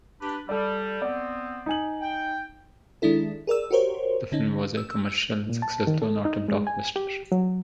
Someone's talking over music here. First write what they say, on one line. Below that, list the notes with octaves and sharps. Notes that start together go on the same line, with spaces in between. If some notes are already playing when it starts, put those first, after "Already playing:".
The film was a commercial success, though not a blockbuster.
D4 G4 B4
G3 A4 D5
B3 C4 D5
D#4 G#5 F#7
G5
D#3 G#3 D4 E4 A4
G#4 A#4 D5 E6
F#4 G4 A#4 C5 C#5
D3 C#4 D#4
E6
A#2
A5
D#3
A4
D#4
G#3
G#5
G4
F#3